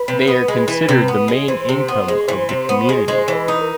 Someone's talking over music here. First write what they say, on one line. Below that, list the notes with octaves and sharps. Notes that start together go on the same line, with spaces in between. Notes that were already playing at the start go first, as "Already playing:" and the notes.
They are considered the main income of the community.
Already playing: B4
C3
B3
G#3
E3
C3
B3
G#3
E3 C5
C3
B3
G#3
E3 C5
C3
B3
G#3
G#3 C5
E3
B4
D#4
A#4